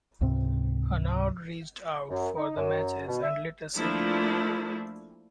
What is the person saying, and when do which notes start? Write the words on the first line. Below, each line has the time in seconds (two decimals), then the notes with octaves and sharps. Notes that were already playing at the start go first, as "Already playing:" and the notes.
Hanaud reached out for the matches and lit a cigarette.
0.21 C#2 G#2 C3 C4
2.10 F#2
2.37 D#4
2.57 F#2
3.08 B2
3.22 E5
3.76 F3 A3 A#3 D4 E4